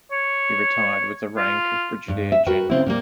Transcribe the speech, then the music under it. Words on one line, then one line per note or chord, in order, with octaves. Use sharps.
He retired with the rank of Brigadier General.
C#5
F4
G2
E5
F#4 A#4 B4 G5
C#3 C4 E4
A#2 G3 A#3